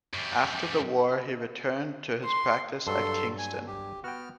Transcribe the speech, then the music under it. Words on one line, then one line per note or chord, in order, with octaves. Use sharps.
After the war he returned to his practice at Kingston.
F#2 G3
C6
G2 F#3 A4 C6
G#5
G4
B3 F#4 G5 F6